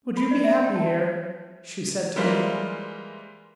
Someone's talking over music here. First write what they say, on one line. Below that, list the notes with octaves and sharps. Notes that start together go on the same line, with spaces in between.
"Would you be happy here?" she said to me.
B5
D5
E5
G5
A5
E3 G3 G#3 A#3 F4 C5